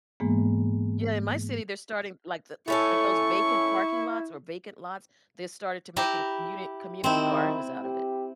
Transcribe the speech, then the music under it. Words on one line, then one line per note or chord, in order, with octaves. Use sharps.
Yeah, in my city, they're starting like the like those vacant parking lots or vacant lots, they started to making communi community gardens out of it.
G#2 E3 G#3 A#3 B3
A3 C#4 E4 A4 C#6
E4 G4 A#5
D#3 C4 E4
G4